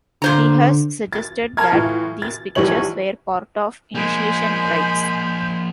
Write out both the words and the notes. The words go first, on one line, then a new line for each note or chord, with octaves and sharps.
He has suggested that these pictures were part of initiation rites.
A#2 D3 C5 A#5
A6
A5 A#5 F6 G#6
A2 E3 F4
A6
A#1 G#2 E3 G3 C#5 F#7
F3 G#3 A#3 G#5 B5 G6